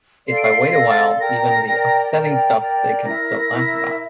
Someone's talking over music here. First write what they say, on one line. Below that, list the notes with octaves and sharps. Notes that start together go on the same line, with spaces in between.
If I wait a while, even the upsetting stuff they can still laugh about.
A4 D5 F5 C6 C7
D7
C7
C7
A4 D5 F5 C6 A#6
A6
A#4 D5 G5 A#5 A#6
A#4 D5 G5 A#5
A#4 D5 G5 A#5
A#4 D5 G5 A#5
E4 A#4 E5 A#6
E4 A#4 E5